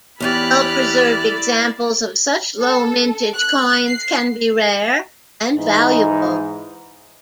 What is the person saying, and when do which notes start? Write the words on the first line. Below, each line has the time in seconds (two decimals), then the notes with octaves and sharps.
Well preserved examples of such low mintage coins can be rare and valuable.
0.20 E2 C#4 E4 G4 D5 B5 F6 F#6
2.61 A4
3.35 F#6
3.87 C7
5.56 G#2 E3 D#4